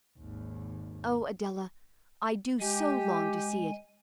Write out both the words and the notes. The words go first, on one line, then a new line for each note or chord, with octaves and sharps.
"Oh, Adela, I do so long to see it."
G#1 D#2
G#3 G4 G#5